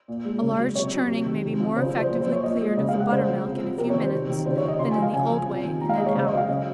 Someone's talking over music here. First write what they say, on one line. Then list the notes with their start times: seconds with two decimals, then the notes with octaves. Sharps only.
A large churning may be more effectually cleared of the butter-milk in a few minutes, than in the old way in an hour.
0.08 A#2
0.25 G#3
0.41 C#3
0.58 F#3
0.75 C3 C#5
0.93 F#3
1.09 C3
1.26 D#3
1.43 C3
1.60 F3
1.76 C#3 C5
1.93 F#3
1.99 C5
2.10 A#2 C5
2.21 C5
2.27 F3
2.32 C#5
2.44 A#2 D#5
2.61 G#3
2.77 C#3 D#5
2.89 F5
2.95 G#3
3.00 F#5
3.11 C#3 C5
3.28 F3
3.44 C3
3.62 F3
3.78 C3 A#4
3.90 C#5
3.95 D#3
4.01 C5
4.12 C3
4.29 D#3
4.46 C#3 C5
4.57 C#5
4.63 F3
4.68 D#5
4.79 C#3 C6
4.91 G#5
4.97 F3
5.02 F5
5.14 C#3 G#5
5.30 F3
5.47 C3 G#5
5.65 D#3
5.81 A#2 A#5
5.89 F5
5.98 G#3 D#5
6.06 C#5
6.14 C#3 C5
6.26 D#5
6.31 F#3
6.37 F5
6.48 C#3 D#5